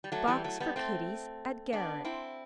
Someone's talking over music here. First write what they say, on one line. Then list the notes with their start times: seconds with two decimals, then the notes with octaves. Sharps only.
'Box for kiddies at Garrick.
0.04 G3
0.12 F#3 A3
0.27 E3 G3
0.44 F#3 A3
0.60 G3 B3
0.76 A3 C4
1.73 B3 D4
2.05 C4 E4